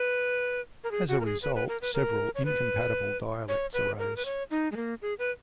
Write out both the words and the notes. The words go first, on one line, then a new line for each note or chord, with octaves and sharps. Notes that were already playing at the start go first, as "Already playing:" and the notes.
As a result, several incompatible dialects arose.
Already playing: B4
A#4
G#4
F#4
A#4
G#4
B4
B4
A#4
B4
A#4
C#5
B4
C#5
B4
A#4
B4
C#5
D#4
G#3
A#3
G#4
B4